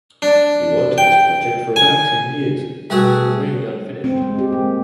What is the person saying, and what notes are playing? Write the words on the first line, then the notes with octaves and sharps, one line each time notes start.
He worked on this project for about ten years but it remained unfinished.
D4
G5
G#5
B2 G3 A3 F#4 G#4
C4
G#3
G4
A#3